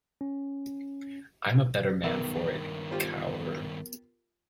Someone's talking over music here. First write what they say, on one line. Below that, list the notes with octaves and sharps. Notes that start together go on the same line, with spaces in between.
I'm a better man for it, Kaur.
C#4
B1 G2 D#3 B3 A#4 E5
F4 G4 C5